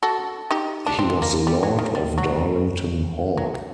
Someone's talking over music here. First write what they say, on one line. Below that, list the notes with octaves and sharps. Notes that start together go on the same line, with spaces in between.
He was the lord of Darlington Hall.
F#4 A4
D#4 G4
D4
C4
A#3
G3
F#3
D#3
G3
F#3
F#3